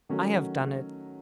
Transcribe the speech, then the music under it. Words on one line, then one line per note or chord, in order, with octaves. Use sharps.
I have done it!
D#3 F#3 A3 C#4 F#4